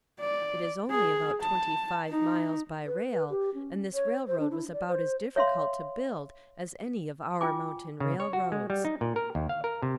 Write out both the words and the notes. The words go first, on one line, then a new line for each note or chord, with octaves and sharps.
It is only about twenty-five miles by rail and this railroad was about as difficult to build as any of our mountain railroads.
D5
G#4
A5
D#4
B4
B4
G4
C#4
C#5
C5
D4
E4
D5
C5
C#5 E5 F5 C6
F4 G5 G#5 D6
C#3
C#5
F#4
G#3
G3
D#4
A#2
A#4
D#2
F5
A#4
C3